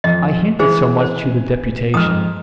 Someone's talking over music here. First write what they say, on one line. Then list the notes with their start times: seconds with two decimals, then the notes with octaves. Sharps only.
I hinted so much to the deputation.
0.04 F2 D#5
0.59 E3 G#4 C5
1.01 C5
1.94 F2 G#2 D#6 F6